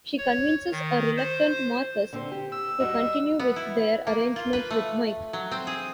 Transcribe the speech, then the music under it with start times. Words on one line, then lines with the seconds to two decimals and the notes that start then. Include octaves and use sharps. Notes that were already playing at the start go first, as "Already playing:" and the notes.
She convinces a reluctant Marcus to continue with their arrangement with Mike.
0.18 C#5
0.72 D#3
1.17 C5
2.13 D3 C4 C5
2.32 G4
2.52 E6
2.80 G3 F#4 D#5
3.40 B3
3.56 E4
4.07 A#3
4.36 F4
4.53 B4
4.71 A3
5.33 F#3
5.51 C4
5.67 G#4